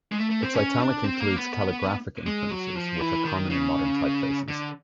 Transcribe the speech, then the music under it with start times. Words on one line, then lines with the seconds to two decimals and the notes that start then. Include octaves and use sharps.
Its italic includes calligraphic influences, which are common in modern typefaces.
0.12 G#3
0.18 A3
0.30 A3
0.42 C4
0.55 C#4
0.79 D4
1.04 C4
1.20 A#3
1.37 B3
2.26 G#3
2.51 F#3
2.75 F3
3.00 E3
3.25 D#3
3.50 C#3
4.48 D3